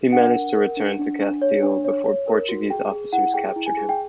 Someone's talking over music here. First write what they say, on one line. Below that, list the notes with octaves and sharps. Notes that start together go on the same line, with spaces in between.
He managed to return to Castile before Portuguese officers captured him.
D4 F#5
A#4
A#4
D4
D4
D4
C#5
D4
C#5
C#5
A#4
F#4
G#4 G5
G#4
E4 F#5
G#4 G5
E4
G#5
G#4
G5